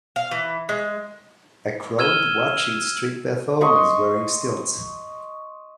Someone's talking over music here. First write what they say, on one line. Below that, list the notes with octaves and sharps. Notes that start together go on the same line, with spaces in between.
A crowd watching street performers wearing stilts.
F5
E3
G#3
E6 F6 G#6 D#7 E7 G7
D#5 C6 C#6